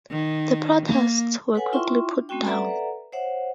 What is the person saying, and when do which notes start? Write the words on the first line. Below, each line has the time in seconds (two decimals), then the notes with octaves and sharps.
The protests were quickly put down.
0.11 D#3
0.86 A#3
1.54 A4 B4 C#5 F#5 G#5
1.72 E4 F4 E5 G5 C6 C#6
2.11 D4
2.29 A3 C4 C#4 F#4 G5
2.45 A4 B4 D5 E5 F#5 A#5
3.12 C5 C#5 E5 F#5